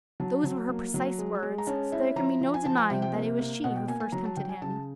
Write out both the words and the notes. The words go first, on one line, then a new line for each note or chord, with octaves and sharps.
Those were her precise words, so there can be no denying that it was she who first tempted him.
F#3 A5
F#3
A#3
F#3
G#3
G#3
A#5
C#4 A5
E4
F3 A#5
F3
G#5
F3 A5
G#5
C3 G5
G5
A#3
A#3
B2 F#5
G5
A#3 G#5
G#5
F#3 A#5
A5
F#3 G5
G#5
C#3 A5